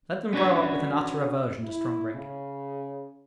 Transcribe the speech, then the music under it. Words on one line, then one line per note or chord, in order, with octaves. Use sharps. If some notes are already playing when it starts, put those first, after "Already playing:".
Let them grow up with an utter aversion to strong drink.
B3 C#4 D4 F#4 B4 C#5
E4
C#3